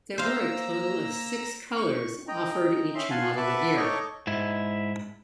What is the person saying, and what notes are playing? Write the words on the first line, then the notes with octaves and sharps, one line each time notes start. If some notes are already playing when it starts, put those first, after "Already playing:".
There were a total of six colors offered each model year.
A#3 C5 F5 A#5 E6
C#6
D#5 G5 A#5
C#4 E5 C6
F5 F#5 G#5 A5 C6
B4 E5 F#5 A5 D6
D#4 A4 C#5 D#5 C#6 D6
G#2 E4